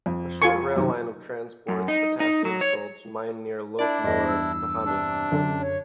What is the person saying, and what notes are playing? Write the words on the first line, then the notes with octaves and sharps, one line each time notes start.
A short rail line of transports potassium salts mined near Lop Nur to Hami.
F2
F4 G#5 C#6
F#2 C3 D#3
F#2
D#4
D#4
F#3
C#5
D4 E4 D5
E2 G2 D#5
E6
C3 D4
F#2 D3
C#5